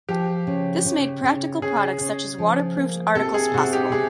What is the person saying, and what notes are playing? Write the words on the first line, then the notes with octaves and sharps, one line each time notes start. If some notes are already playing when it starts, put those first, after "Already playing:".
This made practical products such as waterproofed articles possible.
F3 G4
C#3
C#3
C#3
C#3 G#4
C#3
F3
A#3
C3 A4
G#4
C3 F#4
G4
C3 G#4